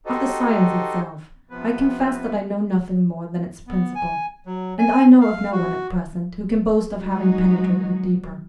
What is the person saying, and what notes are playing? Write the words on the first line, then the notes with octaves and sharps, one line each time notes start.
Of the science itself, I confess that I know nothing more than its principle; and I know of no one at present who can boast of having penetrated deeper.
D#4 F#4 G4 A4 C5 D#5
C3 F3 B3 B4
B3
G#5
F#3
G#5
F5
F#4
F#3 G#3 D#4 F#4